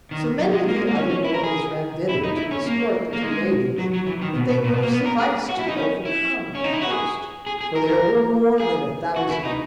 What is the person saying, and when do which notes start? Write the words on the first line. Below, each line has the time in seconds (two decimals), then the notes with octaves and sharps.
So many of the other nobles ran thither to escort the two ladies that they would have sufficed to overcome a host; for there were more than a thousand of them.
0.11 D#3
0.39 F#3
0.53 G#3
0.68 A#3
0.76 G#3
0.87 A#3
0.95 C#4
1.09 C#4
1.24 E4
1.34 A#4
1.44 G#4
2.09 E4
2.24 D#4
2.37 E4
2.51 C#4
2.66 A#3
3.13 A#3
3.22 G#3
3.78 F#3
3.94 F#3
4.07 E3
4.21 D#3
4.35 B2
4.49 B2
4.64 A#2
4.73 B2
4.82 A#3
4.93 B3
5.06 A#4
5.20 G#4
5.49 F#4
5.59 E4
5.68 D#4
5.76 C#4
6.05 E4
6.55 C#4
6.64 D#4
6.72 E4
6.82 F#4
6.91 G#4
7.46 G#4
7.61 G#4
7.75 A#4
7.89 A#4
8.60 G#4
9.16 F#4
9.31 E4
9.45 D#4